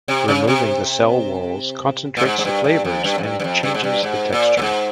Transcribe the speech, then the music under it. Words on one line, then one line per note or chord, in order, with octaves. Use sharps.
Removing the cell walls concentrates the flavours and changes the texture.
C3
C#3
C3
A#2
G#2
G#2
G2
G2
F2
G2
F2
G2
G2
F2
G2
G#2
G2
G#2
A#2
A#2
G#2